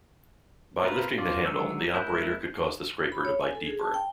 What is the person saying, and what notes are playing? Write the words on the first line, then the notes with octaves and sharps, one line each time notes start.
By lifting the handle, the operator could cause the scraper to bite deeper.
C4 F4 A#4 B4
F4 D5
D3 D#3 F#3 G#3 E6
G#3 E4 A#4 F#6 G6
B5
C#5
G#5
A4
G#4
A5
G5